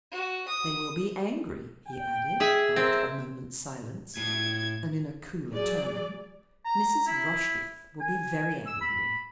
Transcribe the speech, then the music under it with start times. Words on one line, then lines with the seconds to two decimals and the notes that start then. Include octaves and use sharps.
They will be angry," he added, after a moment's silence, and in a cooler tone; "Mrs. Rushworth will be very angry.
0.12 F#4
0.48 D#6
1.87 G5
2.40 G#4 E5
2.76 C4 A#4 E5
4.17 A2 G#6
5.51 F#3 G#4 D5
6.65 A#5
7.07 E4
8.01 G#5
8.67 E6
8.81 B5